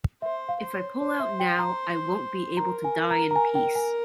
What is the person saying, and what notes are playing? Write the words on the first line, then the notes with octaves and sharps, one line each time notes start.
If I pull out now, I won't be able to die in peace.
C5 E5
F5
C5
C#5
C5 C#5
E5
G5
A#5
A#4 A#5
G#5
A#5
A#5
G#5
G5
G#5